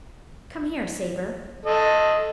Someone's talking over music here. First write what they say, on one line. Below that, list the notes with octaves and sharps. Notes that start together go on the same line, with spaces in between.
"Come here, Sabre."
A4 D#5